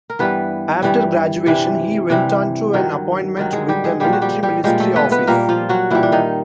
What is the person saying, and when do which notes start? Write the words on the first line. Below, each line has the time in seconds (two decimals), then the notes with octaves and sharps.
After graduation, he went on to an appointment with the Military Ministry Office.
0.10 A#4
0.19 G2 E3 G3 B3 B4
0.82 G2 E3 G3
1.46 C3 E3 G3
2.10 C3 E3 G3
2.73 G2 D#3 F#3
3.37 G2 D#3 F#3
3.52 G#3 G#4
3.69 G3 G4
3.84 G#3 G#4
4.00 A#2 F3 G3 G#3 G4
4.13 F#4
4.22 G3 G4
4.43 G3 G4
4.64 A#2 F3 G3 G#3 G4
4.80 A3 A4
4.96 B3 B4
5.11 B3 B4
5.27 A#2 G3 A#3 A#4
5.49 F3 F4
5.69 F#3 F#4
5.91 A#2 E3 G3 E4
6.03 D4
6.12 D#3 D#4